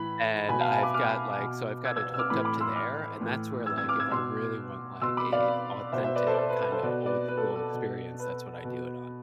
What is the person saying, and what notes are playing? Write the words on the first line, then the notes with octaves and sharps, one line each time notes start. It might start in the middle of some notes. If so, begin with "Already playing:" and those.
and I've got, like so I've got it hooked up to there, and that's where, like, if I really want, like, a authentic kind of old school experience, that's what I do it on.
Already playing: A2 E3 B5
B2 G#5 B5
F5 A5
E5 G#5
B5 D6
D6 F6
B2
E6 G#6
E6 G#6
E6
D6 F6
A2 E3 B5 D6
B5 D6
F6
C6 E6
D6 F6
A2 E3
E6 G#6
E6 G#6
D6 F6
E6 G#6
B2 C6 E6
B2 C6 E6
B5 D6
D5 F5
B2 C5 E5
C5 E5
B4 D5
A4 C5
D5
A4 C5
B4
B4
A4 C5
B2 B4 D5
B4 D5
B4
A4
A4
B2
B4
B2